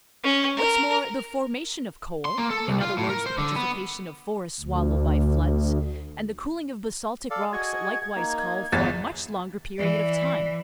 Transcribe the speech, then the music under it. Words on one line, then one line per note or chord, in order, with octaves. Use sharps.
What's more, the formation of coal-- in other words, the petrification of forests swallowed by floods-- and the cooling of basaltic rocks likewise call for a much longer period of time.
C#4
A#4
C6
A#3
A4
C2
F4
A2
A#4
C5
D3
B3
D2
A4 D5 F5
F#4 G#4 D#5 G#6
A#3 D#4
G1 E2 A6
E3 D5